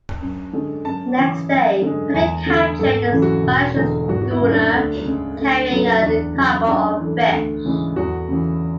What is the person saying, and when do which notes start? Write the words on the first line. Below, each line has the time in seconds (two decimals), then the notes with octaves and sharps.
The next day, Pellew captured a Spanish schooner carrying a cargo of fish.
0.21 F#2
0.53 D3 G#3
0.85 F#2 A5
1.17 C#3 E3
1.50 F#2
1.82 D3 G#3
2.14 E2 G#5
2.46 D3 A3
2.79 G#1 A4
3.11 F#2 C#3 E3 A3
3.22 F#4
3.44 E1
3.76 E2 D3 G#3
4.08 G#1 F#4
4.22 F#4
4.31 E4
4.41 F#2 C#3
4.52 D4
4.74 D2
5.05 C#3 G#3
5.37 D2
5.70 C#3 F#3 A3
6.02 E2 D4
6.35 C#3 F#3
6.67 F#2 D4
7.00 E3 A3
7.32 D2
7.65 C#3 E3 G#3
7.96 E2 F#4
8.29 C#3 E3